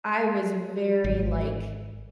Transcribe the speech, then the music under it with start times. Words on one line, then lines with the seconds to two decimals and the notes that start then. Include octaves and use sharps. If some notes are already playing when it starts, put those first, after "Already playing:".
I was very, like,
1.04 G#1